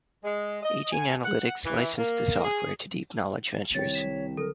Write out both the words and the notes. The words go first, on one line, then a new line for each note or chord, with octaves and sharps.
Aging Analytics licensed the software to Deep Knowledge Ventures.
G#3
D#5
G#5
F#5
E3
A#3
G#4
C2 D#3 C#5 G5 A6
B6 E7
D3 F#3 A4 A#4